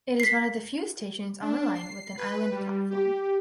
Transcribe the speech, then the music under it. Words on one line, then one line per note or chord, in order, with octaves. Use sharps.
It is one of the few stations on the line with an island platform.
B6 C7
D4
C7
B4
G3
G4